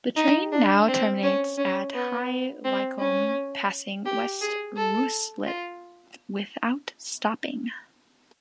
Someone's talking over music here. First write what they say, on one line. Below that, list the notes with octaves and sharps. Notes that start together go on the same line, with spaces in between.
The train now terminates at High Wycombe, passing West Ruislip without stopping.
D#4
D4
C4
C#4
C#4
B3
C4
C#4
G4
G#4
A4
F4